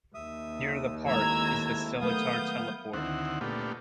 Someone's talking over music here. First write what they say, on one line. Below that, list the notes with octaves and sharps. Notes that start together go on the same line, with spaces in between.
Near the park is the Seletar Teleport.
D#2 E5 D#6
D#3 G#3 A3 C4 E4 A#5 E6 G#6
F#3 A3 B3 A#4 F5 D#6 G6
D2 D#3 C4 E4 F#5
A#2 A3 B3 D4 F4 G4